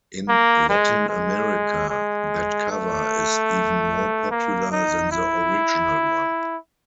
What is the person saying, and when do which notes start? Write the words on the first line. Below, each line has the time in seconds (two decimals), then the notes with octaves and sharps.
In Latin America, that cover is even more popular than the original one.
0.29 A#3
0.69 G#3
1.09 G#3
1.90 G#3
2.71 A3
4.31 A#3
4.72 D#4
5.12 E4